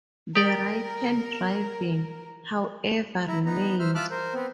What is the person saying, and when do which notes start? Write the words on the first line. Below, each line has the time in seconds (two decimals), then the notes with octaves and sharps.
The right hand driving, however, remained.
0.35 G4 A#4 D5 G5 D#6
3.28 E4 A#5
3.46 B3 D#4 A#5
3.79 C5 E5 F6
3.95 F4 E5 A5 D6 F6 F#6
4.11 A#4 C5
4.34 B3 C4